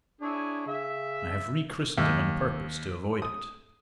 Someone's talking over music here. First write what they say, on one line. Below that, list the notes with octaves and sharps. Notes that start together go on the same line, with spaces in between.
I have re-christened him on purpose to avoid it.
D4 E4 G#4 C#5
C#3 E5
D#2
D#6